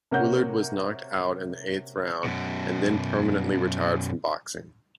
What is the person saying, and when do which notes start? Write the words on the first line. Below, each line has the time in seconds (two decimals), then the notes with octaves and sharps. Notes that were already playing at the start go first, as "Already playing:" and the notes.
Willard was knocked out in the eighth round, and then permanently retired from boxing.
0.11 C3 A#3 C#4 F#4 F#5 G6
2.24 F#2 B2